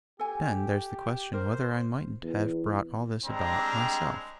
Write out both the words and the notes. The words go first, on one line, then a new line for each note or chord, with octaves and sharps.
But, again, there's the question whether I mightn't have brought all this about, myself.
G4 A4 G#5
A#4 C5
E2
G3 G#3 C4 D4 A#5